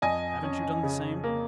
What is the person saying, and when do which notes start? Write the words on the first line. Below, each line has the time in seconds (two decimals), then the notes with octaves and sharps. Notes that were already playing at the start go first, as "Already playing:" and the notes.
Haven't you done the same?
0.02 F2 D#5 G#5
0.43 C#4
0.83 C#3
1.24 A#3